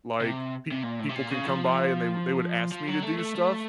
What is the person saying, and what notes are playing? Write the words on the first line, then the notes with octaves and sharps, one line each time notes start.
Like, pe people can come by and they wou they would ask me to do stuff,
C3
C3
A#2
A2
C3
A#2
C#3
F3
F3
F#3
A3
A3
A3